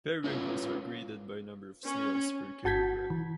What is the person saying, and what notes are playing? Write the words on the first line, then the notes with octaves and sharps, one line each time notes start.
Periwinkles are graded by number of snails per kilogram.
C#4 E4 F4 A#4 B4 C#5
C#4
G1 F#4 A5 G6 G#6 B6
E3